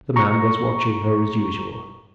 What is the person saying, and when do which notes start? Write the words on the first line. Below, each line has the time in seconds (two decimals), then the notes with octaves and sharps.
The man was watching her as usual.
0.16 A#5 C#6